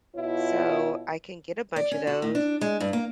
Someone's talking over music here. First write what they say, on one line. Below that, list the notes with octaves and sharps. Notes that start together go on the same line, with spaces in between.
So, I can get a bunch of those,
B2 E4 F4 C#5
D5
C#4
F#4
A2
D4
G#3
G2
A#3